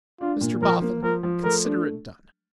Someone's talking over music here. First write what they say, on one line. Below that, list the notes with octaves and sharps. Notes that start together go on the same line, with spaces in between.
'Mr Boffin, consider it done.
D4 F4
A#2
F3 A#4
A#3
F3 A#4
F3
A3 A#4
D4